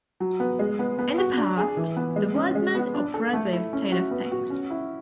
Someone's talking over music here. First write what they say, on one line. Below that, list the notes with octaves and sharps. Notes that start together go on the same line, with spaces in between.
In the past, the word meant oppressive state of things.
F#3
B3
G#3
B3
B3
F#4
D4
G#4
E3
B3
G#3
C#4
G#3
B3
D4
A4
A3
E4
C#4
F#4
B3
F#4
C#4
E4